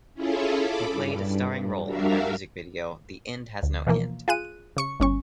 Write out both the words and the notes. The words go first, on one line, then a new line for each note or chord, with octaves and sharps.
He played a starring role in their music video "The End Has No End".
C#4 E4 F4 G#4 A4
A4 B5 D6
G2
G3 D4 F#4 A#4 E5 F5
D2
B2 E3 F3 A#3
F4 G#4 F#6 D#7
C#3 C#6 C#7
G1 C#4 C#6